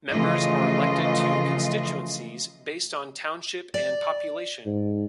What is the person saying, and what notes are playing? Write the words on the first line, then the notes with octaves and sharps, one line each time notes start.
Members are elected to constituencies based on township and population.
C#3 E3 F3 A3 F4 D#5
D5
G#2